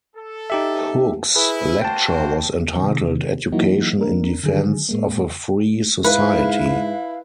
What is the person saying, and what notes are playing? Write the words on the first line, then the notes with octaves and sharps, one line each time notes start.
Hook's lecture was entitled Education in Defense of a Free Society.
A4
D#4 G4 E5
E4 G#4 B4
A#3 F#4 C5 G5 A5
C3 D#3
E3 F#3 A#3 D#4 E4 F#4
A#3 D4 A#4
D3 D#3 F#3 G#4
A2 G#3 A#3
G#2 E4 B4 F5